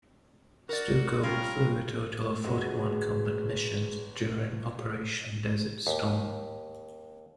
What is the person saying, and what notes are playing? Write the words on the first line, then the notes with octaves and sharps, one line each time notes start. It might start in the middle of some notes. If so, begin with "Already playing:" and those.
Sturckow flew a total of forty-one combat missions during Operation Desert Storm.
F#4 A#4 D5
G3 C#4 F4 A#4
G1 G#3 F#4 G#4
D#2